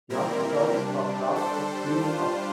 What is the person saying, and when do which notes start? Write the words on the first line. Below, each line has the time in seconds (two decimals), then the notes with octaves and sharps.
Young adults are proud of cleaning up.
0.09 A#2 G3 C4 E4 A#4
0.72 C3 G3 D4
1.35 G3 D4 A4 C5
1.99 G3 D4 F4 C5